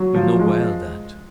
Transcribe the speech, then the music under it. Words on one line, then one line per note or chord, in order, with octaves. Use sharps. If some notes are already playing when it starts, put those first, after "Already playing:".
You know well that.
Already playing: F#3
F3
G#3